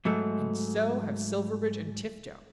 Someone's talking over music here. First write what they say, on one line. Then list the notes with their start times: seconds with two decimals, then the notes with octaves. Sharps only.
And so have Silverbridge and Tifto.
0.05 G#2 F#3 A3